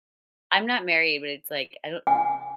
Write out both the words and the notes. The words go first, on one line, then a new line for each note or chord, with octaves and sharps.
I'm not married, but it's, like, I don't
G#5